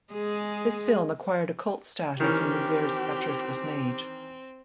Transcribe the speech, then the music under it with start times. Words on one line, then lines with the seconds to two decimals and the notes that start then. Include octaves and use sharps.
This film acquired a cult status in the years after it was made.
0.13 G#3 G#4
2.20 D#3 E3 C4 C#4 G4